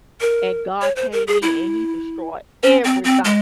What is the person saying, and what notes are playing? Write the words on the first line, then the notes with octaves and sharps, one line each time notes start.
and God came in, and he destroyed everything,
A#4
C#5
C5
A#4
G#4
E4
C#4
C4
C4
G#3